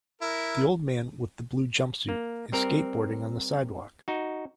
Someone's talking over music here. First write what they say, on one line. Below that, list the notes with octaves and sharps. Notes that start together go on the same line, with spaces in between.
The old man with the blue jumpsuit is skateboarding on the sidewalk.
E4 A#4
A#3
G3 C4 A#4
D#4 F#4